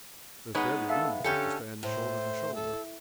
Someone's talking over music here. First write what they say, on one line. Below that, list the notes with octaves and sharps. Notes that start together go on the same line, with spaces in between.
There was barely room for us to stand, shoulder to shoulder.
G#3 B3 D#4 B4 C#5
A4 E5 F5
D3 C#4 G4 A4 C#7
A2 C5
A4